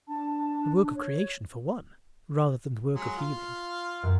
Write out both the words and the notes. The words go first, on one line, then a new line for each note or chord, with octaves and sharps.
The work of creation for one, rather than the work of healing.
D4 A5
C#5
F#3 G#3
F4 F5
F#2